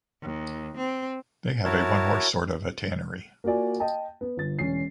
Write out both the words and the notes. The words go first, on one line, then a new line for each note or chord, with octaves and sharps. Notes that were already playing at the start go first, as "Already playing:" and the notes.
They have a one-horse sort of a tannery.
D#2
C4
E4 F#4 A#4 C#5 A5
A#3 F4 F#4 D5 G#5
D#5 G5 A5
B3
G1 B3 A6
E1 C#4 C7